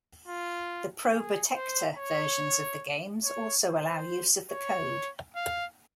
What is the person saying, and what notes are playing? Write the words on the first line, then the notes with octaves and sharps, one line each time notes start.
The Probotector versions of the games also allow use of the code.
F4
G#4
C5
C#5
C#5
C5
C#5
F5